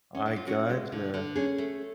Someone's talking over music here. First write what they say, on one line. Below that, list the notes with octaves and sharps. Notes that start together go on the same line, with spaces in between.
I gotcha.
C#4
D4
F4
C#4 F#4
G#3
D3
D3
C#4 G#4
A3